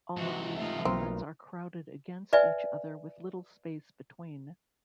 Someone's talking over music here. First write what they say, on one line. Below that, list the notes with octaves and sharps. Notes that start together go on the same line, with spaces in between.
All of these elements are crowded against each other with little space between.
G#2 C3 E3 F#4
A3 D#4 F4
B1 A#3 C4 A#5
B4 D5 E5 G#5